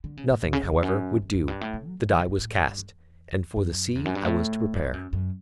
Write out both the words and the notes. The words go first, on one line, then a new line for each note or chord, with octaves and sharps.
Nothing, however, would do; the die was cast, and for the sea I was to prepare.
D3
C#3
A2
A2
C#3
C#3
E2
F#2
F#2
F#2
G2
A2
B2
F#3
F#3
E3
C#3
B2
A2
G2
E2
F#2
E2
F#2
G2
A2
G2
F#2
F#2